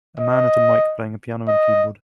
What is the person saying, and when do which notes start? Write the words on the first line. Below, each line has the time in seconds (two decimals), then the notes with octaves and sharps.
A man at a mic playing a piano and keyboard.
0.19 D#5
1.48 D#5